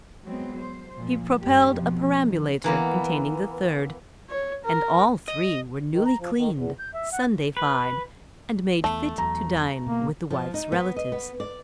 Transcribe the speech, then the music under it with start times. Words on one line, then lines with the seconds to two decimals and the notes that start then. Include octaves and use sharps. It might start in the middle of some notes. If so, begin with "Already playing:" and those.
He propelled a perambulator containing the third--and all three were newly cleaned, Sundayfied, and made fit to dine with the wife's relatives.
0.24 F#3 G#3 B3 C4
0.57 C5
0.96 A#2 F3
1.41 G2 D4 G4
1.73 F2 B2 F3
2.19 D#3
2.64 E3 A#3 B3
4.29 C#5
4.65 A#4
5.28 D#5
5.93 D#3
6.06 A#5
6.19 F3
6.38 D#3
6.54 E2
6.79 G6
6.94 E5
7.13 F#5
7.57 B4
8.84 E2 A3
9.18 E2 F#3 A#5
9.86 B2 A#3
10.30 F3
10.54 D#4
10.72 B3
10.96 D#5
11.12 B3
11.40 D5